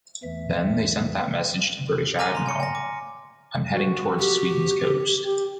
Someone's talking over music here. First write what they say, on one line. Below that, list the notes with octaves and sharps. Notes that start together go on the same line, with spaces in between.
Then, they sent that message to British admiral: “I’m heading towards Sweden’s coast”.
E2 E3 A3 E5
G#5 A#5 D6 F6 A#6 D#7
A#5 C6
G#5 C#7
G#5 A#6
D6
F#4
G4
G4